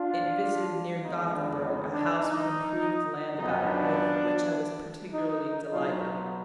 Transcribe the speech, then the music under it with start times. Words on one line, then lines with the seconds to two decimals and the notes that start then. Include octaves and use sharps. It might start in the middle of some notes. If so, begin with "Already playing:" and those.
It visited, near Gothenburg, a house with improved land about it, with which I was particularly delighted.
Already playing: D4 F4
1.03 F2 D#3 G#3 B3 D#4
1.32 D4
1.61 D#4
1.91 D4
2.20 D#4
3.37 F#2 F3 B3 D#4
3.66 D4
5.12 D#4
5.71 B2 F#3 B3 D4 F4
6.00 D#4